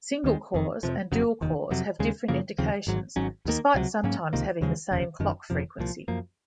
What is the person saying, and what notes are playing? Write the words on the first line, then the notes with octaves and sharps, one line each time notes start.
Single-cores and dual-cores have different indications, despite sometimes having the same clock frequency.
D#2 D#3 G#3
F#1 F2 D#3
F2 C3 F3
F1 F2 C#3 F#3
F1 D#2 D#3
F2 C3 F#3
D#2 C#3 G#3
F#2 C#3 F3 A#3
D#2 C#3 F3 C4
G#1 G#2 F#3
G#1 G#2 F#3 C#4
D#2 D#3 A#3
C#2 C3 F#3
G#2 F#3 A#3 C#4
C#2 C3 D#3 A#3
D#2 C#3 F3 G#3
F1 D#2 C#3
F#1 F#2 D#3
F1 F2 C3 F3
C2 A#2 F3
F#2 F3 A#3